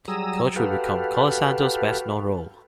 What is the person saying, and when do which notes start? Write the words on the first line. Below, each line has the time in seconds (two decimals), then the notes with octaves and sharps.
Coach would become Colasanto's best known role.
0.08 F#3 G3 G#4 A#5 D#6 E6
0.56 F#4 G4 A4 B4 F5